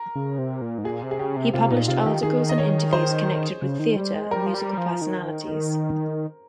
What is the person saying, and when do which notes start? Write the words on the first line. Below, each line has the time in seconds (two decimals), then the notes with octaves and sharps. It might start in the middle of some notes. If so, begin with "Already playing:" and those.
He published articles and interviews connected with theatre and musical personalities.
Already playing: A#4
0.15 C#3
0.38 C3
0.62 A#2
0.78 G#2
0.84 A#2 G#4
1.02 C3
1.11 G#4
1.19 C#3 G4
1.37 C3
1.53 C3 F4
1.71 A#2 D#4
1.88 C3 F4
2.06 D#3 G4
2.23 D#3 G#4
2.49 D#5
2.58 C#5
2.93 C5
3.62 C#3
3.79 D#3
3.97 G3
4.15 G#3
4.31 G3 A#4
4.46 F3
4.54 G3
4.78 F3
5.01 D#3